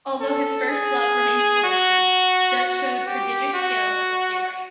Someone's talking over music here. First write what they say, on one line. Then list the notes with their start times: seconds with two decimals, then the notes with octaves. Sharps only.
Although his first love remained poetry, Dutt showed prodigious skill as a playwright.
0.21 A4
0.68 G#4
1.63 F#4
2.58 F#4
3.07 G4
3.54 F#4